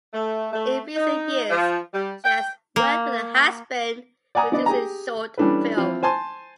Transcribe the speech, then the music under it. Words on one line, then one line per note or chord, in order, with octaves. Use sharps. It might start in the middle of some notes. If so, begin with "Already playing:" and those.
In recent years, she has worked with her husband producing short films.
A3
A3
D#4
F3
G3
G5
A#3
D5 F#5 G#5 A#5 D#6
B3 D4 D5 D#5
G4 G#4 G#5 A#5
E3 G3 C#4 D4 A4 B4
E3 F3 C4 E4 F4
C5 G#5 A5 C6